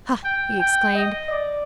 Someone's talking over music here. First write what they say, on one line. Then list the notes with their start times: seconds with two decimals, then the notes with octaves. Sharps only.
"Huh!" he exclaimed.
0.24 G5
0.60 G5
0.95 D#5
1.31 D5